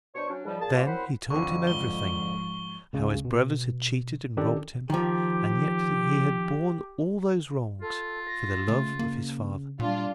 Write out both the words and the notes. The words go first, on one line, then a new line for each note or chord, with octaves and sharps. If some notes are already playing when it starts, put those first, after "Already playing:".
Then he told him everything; how his brothers had cheated and robbed him, and yet that he had borne all those wrongs for the love of his father.
B2 D4 C5 C#5 C#6
F#3 C#4 D4
C#2 G#2 F3 G3
A#2 G#4 A5
C#2 G2 B2 G#3 A#3
F#2 C4 E4 C5 F#5 B5
F2 D3 C#6
G#2 F3 G7
C#2 C#3
B2
D#3 C#4 D4 E4 G4 A4
D#3 F3 G4
F4 A4
A#6
C#3 A3
A#3
A#2 G3 D4 F4